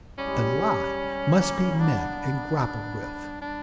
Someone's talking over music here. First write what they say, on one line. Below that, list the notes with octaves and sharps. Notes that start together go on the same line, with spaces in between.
The lie must be met and grappled with.
G3 C#4
G#3
G3
A#3
A#3
B3 D4
D4